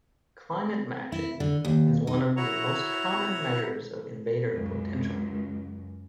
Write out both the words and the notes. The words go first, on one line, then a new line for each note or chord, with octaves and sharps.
Climate matching is one of the most common measures of invader potential.
E4
D3
D#2
D#4
E4 F#4 C#5 A#5
C#2 F#2